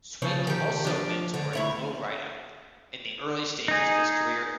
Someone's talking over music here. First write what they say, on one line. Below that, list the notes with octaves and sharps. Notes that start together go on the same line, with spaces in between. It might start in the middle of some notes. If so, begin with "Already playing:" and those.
Swing also mentored Flo Rida in the early stages of his career.
C#3 F3 C#5
D#3 G4
F3 D4
D3
D2 E4 C#5
D#4 G#4